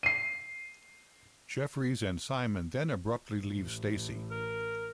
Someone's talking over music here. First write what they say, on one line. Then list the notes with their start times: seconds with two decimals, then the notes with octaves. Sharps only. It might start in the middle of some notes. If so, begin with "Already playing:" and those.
Jeffries and Simon then abruptly leave Stacey.
0.03 C7 D#7
3.33 A1
4.31 A#4